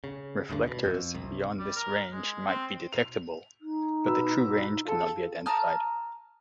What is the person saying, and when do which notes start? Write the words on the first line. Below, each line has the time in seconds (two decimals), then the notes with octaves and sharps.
Reflectors beyond this range might be detectable, but the true range cannot be identified.
0.04 C#3
0.49 D1 D2 G2 D3
0.67 B2
0.85 F2
1.14 C2
1.59 G3
1.76 A#4
2.12 G#3
2.48 C4
2.93 F7
3.61 D#4
4.05 B2 B4 E6
4.85 F4 G#4 A4
5.46 A5 A#5 D#6 F6